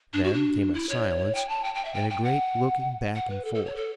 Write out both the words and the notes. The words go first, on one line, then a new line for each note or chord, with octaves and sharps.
Then came a silence and a great looking back and forth.
D4
F#4
D4
E4
C#5
G5
A5
G5
G5
E5
G5
G5
F#5
F#5
B4
A4
A4
C#5
A4